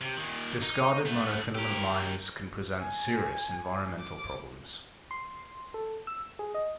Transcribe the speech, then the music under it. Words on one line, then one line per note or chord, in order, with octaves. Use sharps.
Discarded monofilament lines can present serious environmental problems.
C3
A#2 D#3
D#4
A3 B3
G4 A#4
G#5
D6
C6
A4
E6
G#4
D#5